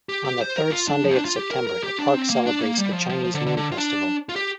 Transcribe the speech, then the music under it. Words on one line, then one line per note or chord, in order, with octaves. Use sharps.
On the third Sunday of September, the park celebrates the Chinese Moon Festival.
G4
G4
C5
A#4
F4
D4
F3
C4
D4
F4
G4
A#4
A#4
G4
D4
C4
A#3
D4
A#3
G3
F3
F3
F3
D3
D3
D3
F4
D4
F4
G4